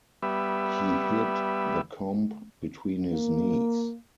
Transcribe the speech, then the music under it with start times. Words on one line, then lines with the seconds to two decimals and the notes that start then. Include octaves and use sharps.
He hid the comb between his knees.
0.23 G3 B3 E5
3.13 A#3